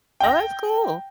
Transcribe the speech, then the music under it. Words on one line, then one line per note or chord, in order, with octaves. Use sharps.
Oh, that's cool.
G5 A#6